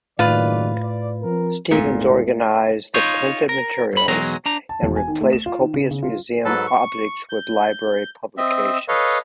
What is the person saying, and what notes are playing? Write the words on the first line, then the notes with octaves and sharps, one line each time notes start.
Stevens organized the printed materials and replaces copious museum objects with library publications.
F#1 A2 D#3 F4 B4 D5
D5
F3 C4 A#4
G#1 E2 A#2 A3
D#4 F4 C#5
A#4
G2 B5
B1 E2 F#3 G#3 A#5
D4 A#5
A5
E1
G#5
D#3
A3
E7
F4
D#3
C#3
C#3
F4
G#2 F#3 A4 B4 A5
C#6
G6
C4 D#5 E5
A4 B4 C#5 D#5 F5